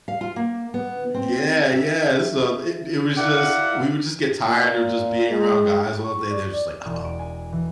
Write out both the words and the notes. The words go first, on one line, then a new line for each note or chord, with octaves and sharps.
Yeah, yeah, so it it was just, we would just get tired of just being around guys all day, they're just like, "Uh-oh,
F5
F4
A#3
B3
C4
E5
E4 A#4 D5 F5 F#5
A#2
G#3
C#6
D5
D5
E1
D7
G#5
E3